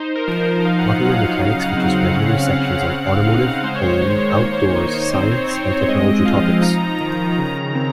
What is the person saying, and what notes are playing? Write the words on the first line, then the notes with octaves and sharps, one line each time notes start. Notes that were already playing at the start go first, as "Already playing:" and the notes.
"Popular Mechanics" features regular sections on automotive, home, outdoors, science, and technology topics.
Already playing: D#4 C5
A#4
F3
C5
D#4 F5
F#5
F5
F#3 F#5
F5
F#5
C#3
F5
F#5
C4 F5
F#5
F5
C#4 F#5
F5
F#5
C#3 F5
F#5
F5
C4 F#5
F5
D#4
G#3 C5
C#5
C5
D#3 C#5
C5
C#5
C5
A#3 C#5
C5
D#4
C4 C5
C#5
C4 C5
C#5
G#3 D#5
F3 F5
D#4 A#5
D#3
C#3
C4